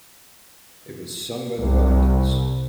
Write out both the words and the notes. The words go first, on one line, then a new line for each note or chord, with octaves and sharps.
It was sung by The Wellingtons.
C2